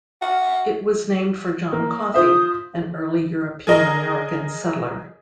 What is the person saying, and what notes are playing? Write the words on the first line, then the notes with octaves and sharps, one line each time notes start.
It was named for John Coffee, an early European-American settler.
F#4
A#3
F4 C5 E5 D#6
G#4 A#4 D#5